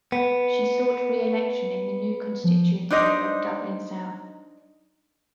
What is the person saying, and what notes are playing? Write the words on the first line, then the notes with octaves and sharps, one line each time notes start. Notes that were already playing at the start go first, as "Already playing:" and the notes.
She sought re-election in the new constituency of Dublin South.
B3
F3
D4 D#4 C5 D#5